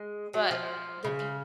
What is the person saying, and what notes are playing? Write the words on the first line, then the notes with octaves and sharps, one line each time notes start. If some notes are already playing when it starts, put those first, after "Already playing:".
But the beu
Already playing: G#3
F#3
F3
C#3